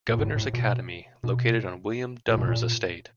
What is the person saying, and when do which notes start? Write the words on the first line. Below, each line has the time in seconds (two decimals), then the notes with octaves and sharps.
Governor's Academy located on William Dummer's estate.
0.08 A#2
0.19 A2
0.36 A2
0.53 B2
1.24 B2
2.29 A#2
2.38 B2
2.47 A#2